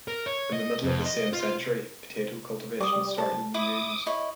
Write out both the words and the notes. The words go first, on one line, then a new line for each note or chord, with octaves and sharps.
In the middle of the same century, potato cultivation started in the dunes.
A#4
C#5
D#5
F2
D#5
F4
G3 D6 D#6
A5
E4 D6 D#6
E4 C#5 D#5